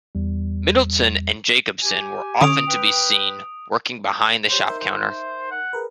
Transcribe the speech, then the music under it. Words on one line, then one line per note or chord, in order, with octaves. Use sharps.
Middleton and Jacobson were often to be seen working behind the shop counter.
E2 G3
G4 G#5
D3 C#4 C#6 D#6 D7 F7
B4 G5
G4 C5 C#5 C#7
D#4 A#4 C5 E5
C5
F#5
G#4 A#4 B4